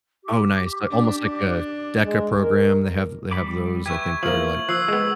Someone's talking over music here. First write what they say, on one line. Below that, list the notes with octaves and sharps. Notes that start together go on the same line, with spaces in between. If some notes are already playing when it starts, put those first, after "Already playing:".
Oh, nice, but almost like a DECA program. They have they have those, I think, that are, like,
G4
D4
G#3
A#4
G3 B5 D6
G4 B4 E5 C#6 G#6
F3 A#3 E5 F6 F#7
F3 E6 F#6 C7
G#3 B3